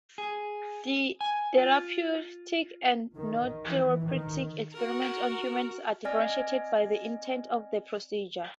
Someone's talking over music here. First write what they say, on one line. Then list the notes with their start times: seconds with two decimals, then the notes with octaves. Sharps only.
Therapeutic and nontherapeutic experimentation on humans are differentiated by the intent of the procedure.
0.18 G#4
1.21 G#5
1.58 F4
3.17 D#3
3.67 E3
4.08 D#3
4.73 F#4 A#4
6.05 C4 D5 D#5 G#5 F6 A#6